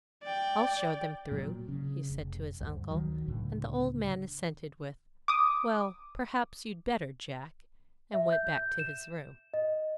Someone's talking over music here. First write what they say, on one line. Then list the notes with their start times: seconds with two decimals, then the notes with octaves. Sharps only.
"I'll show them through," he said to his uncle; and the old man assented with, "Well, perhaps you'd better, Jack," and went back to his room.
0.23 D5 G5
1.31 A#2 F#3
1.68 C#3
2.09 F1
2.60 D2 G2
2.91 D2 D#3 F#3
3.28 C#2 A2 D3
5.28 D6 D#6
8.14 E5
8.33 G6
8.57 G6
8.79 E7
9.54 D#5